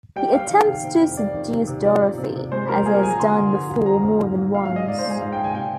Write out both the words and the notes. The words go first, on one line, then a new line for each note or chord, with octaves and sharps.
He attempts to seduce Dorothy, as he has done before more than once.
G3 G5
G3 F5
D#3
C3
C3
F2
F2 D5
D#3
C3
C3
F3 D5
C3
C3
C3
G#3 C5
F3 A#4
A#3 G#4
A#4
F3 G#5
A#5
D3 C6
D3
F3
F3
F2 A#5
F2
G#2
F3
G#2 F5
F5
G#3 D#5
G#2 D5
C5
G#3
G#4
G#2 F5
G5
G#3
G#5
C3 G5